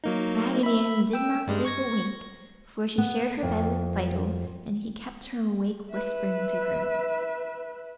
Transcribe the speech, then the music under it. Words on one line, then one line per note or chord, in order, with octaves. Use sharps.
Raggedy Ann did not sleep a wink, for she shared her bed with Fido and he kept her awake whispering to her.
F#3 A#3 D#4
E5 B5
G5 E6
G2 G3 G#3
C#6 G#6 A#6
B3
F2
B4 E5